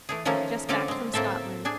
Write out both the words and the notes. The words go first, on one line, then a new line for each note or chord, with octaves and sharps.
Just back from Scotland.
E3 A3 G#4
D#3 F3 A3 A#3 C#4
D3 C4 C#4 F4 D5
G#3 C4
A2 A#3 C4 A4 E5
D4 G#4 G#5